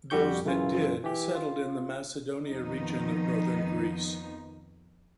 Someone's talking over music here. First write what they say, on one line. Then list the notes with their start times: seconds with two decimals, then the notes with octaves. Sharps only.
Those that did settled in the Macedonia region of Northern Greece.
0.10 F2 G3 F#4 G4 C#6 G6
0.45 F#2 C#3 E3 F4
1.04 E3 G4
1.35 F4
2.47 F2 D#3 F3 B3 D#4